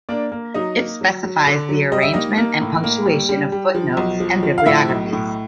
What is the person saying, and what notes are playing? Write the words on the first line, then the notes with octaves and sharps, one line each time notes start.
It specifies the arrangement and punctuation of footnotes and bibliographies.
A#3 D4 D5
A#3
F#3 D#4 D#5
A#3
F#3
F#3
D3
F#3
G3 D#5
E5
A#3 D#4 D#5
A#3
A2
A#3
G3
G3
G3
F3
B1
F3
F3
F5
A2 E4 E5
B1
A2